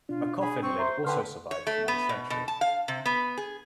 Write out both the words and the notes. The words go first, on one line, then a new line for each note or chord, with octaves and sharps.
A coffin lid also survives from this century.
B2 D4 F4
G#4 B5
C4 C#6
C5 E5 A#5 C6
D3 B4 G5 C6 F6
C#5
A3
B3
B2
B2
A5
F5
C3
B3
G#4